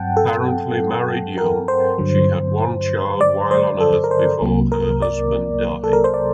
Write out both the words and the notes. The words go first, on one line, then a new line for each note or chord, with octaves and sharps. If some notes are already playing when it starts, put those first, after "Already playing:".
Apparently married young, she had one child while on Earth before her husband died.
Already playing: G2 F#3 C4 F#5 G5 A5
A4
A#4
C5
G2 D3 F#3
D5
C5
A4
A#4
C5
C2 C3 F#3 A#3
A#4
D5
A4
A#4
C5
D5